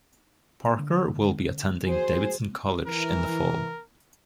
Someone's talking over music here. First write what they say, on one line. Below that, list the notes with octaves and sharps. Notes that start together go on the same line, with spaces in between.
Parker will be attending Davidson College in the fall.
D3
F#4 G#4 C5
E3 A#4